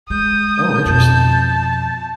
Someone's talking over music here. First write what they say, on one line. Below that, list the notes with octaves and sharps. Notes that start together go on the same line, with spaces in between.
Oh, interesting.
G#3 D#6 G6
F2 B2 A5